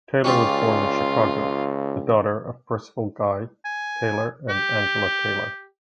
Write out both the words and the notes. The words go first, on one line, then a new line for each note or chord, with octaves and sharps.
Taylor was born in Chicago, the daughter of Percival Guy Taylor and Angela Taylor.
C#2 C#4 F4 G4 D5
G#5
G4